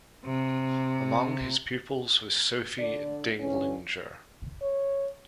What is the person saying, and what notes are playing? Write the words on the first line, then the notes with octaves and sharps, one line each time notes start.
Among his pupils was Sophie Dinglinger.
C3
D3 D5
D3 E3 C#4
C#5